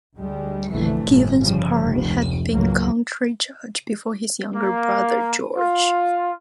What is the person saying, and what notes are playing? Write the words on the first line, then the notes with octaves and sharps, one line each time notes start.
Givens Parr had been county judge before his younger brother George.
D2 G3 G#3
A#1 F2 D3 E3 A3
G1 A2 C3 F3
C#3 F3 G3
F1 C#2
C#2 G#2 F#3 A#3
A#3
F4